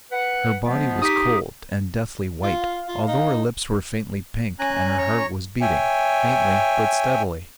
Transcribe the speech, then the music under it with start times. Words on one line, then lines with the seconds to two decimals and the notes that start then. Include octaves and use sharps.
Her body was cold, and deathly white, although her lips were faintly pink, and her heart was beating, faintly but steadily.
0.12 B4 F#5
0.66 F3 G#3 B3
1.02 D#4 G4 D#6 B6
2.43 F4
2.62 F5
2.88 F4
3.08 D#4
4.59 C#4 G#5 A#5 F#6
4.98 C#5 A#5 C#6
5.61 C#5 E5 G5 G#5